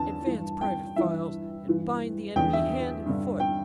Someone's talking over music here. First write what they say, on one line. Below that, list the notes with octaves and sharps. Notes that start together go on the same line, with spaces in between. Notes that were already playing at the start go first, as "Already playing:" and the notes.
"Advance, Private Files, and bind the enemy hand and foot!"
Already playing: E2 D3 A5
G2 E3
G5
G2 E3 E5
G2 E3
E2 D3 G5
E5
G2 D3
G5